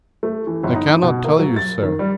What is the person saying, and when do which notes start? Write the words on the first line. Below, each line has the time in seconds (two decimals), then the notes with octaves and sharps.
"I cannot tell you, sir."
0.23 A3
0.47 E3
0.63 G1
0.75 D#4
1.03 B2
1.24 A#3
1.39 F#3
1.56 A6
1.82 D#3
1.99 G3